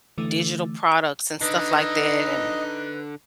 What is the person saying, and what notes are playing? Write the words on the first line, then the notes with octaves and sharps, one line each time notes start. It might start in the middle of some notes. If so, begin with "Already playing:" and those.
digital products and stuff like that, and
D3 E3 A3
D3 D#4 B4 D#5